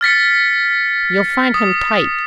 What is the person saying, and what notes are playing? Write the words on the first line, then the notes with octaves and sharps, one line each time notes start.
You'll find him tight.
F6 A6 B6 C#7
D#6